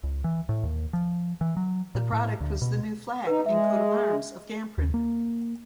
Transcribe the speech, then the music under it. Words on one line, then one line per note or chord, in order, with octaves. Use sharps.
The product was the new flag and coat of arms of Gamprin.
C#2
E3
A2
D#2
F3
E3
F#3
A#2
A2
D2
B2
D#4 B4
G#3 E5
D#2
A#3